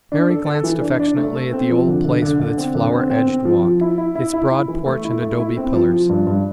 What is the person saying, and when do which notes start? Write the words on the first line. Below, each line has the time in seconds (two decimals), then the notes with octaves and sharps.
Mary glanced affectionately at the old place with its flower-edged walk, its broad porch and adobe pillars.
0.12 D4
0.29 A4
0.46 A4
0.64 E3
0.81 D4
0.99 D4
1.16 A3
1.35 A4
1.53 C4
1.70 F3
1.87 D3
2.05 D3
2.22 D3
2.39 D3
2.57 C4
2.75 D3
2.92 C4
3.10 C4
3.28 C4
3.45 F3
3.63 F3
3.81 E4
3.98 E4
4.15 E4
4.33 E4
4.51 E4
4.68 E3
4.86 A3
5.04 E4
5.22 A3
5.40 E4
5.57 C4
5.74 F3
5.92 F3
6.09 G2
6.27 G2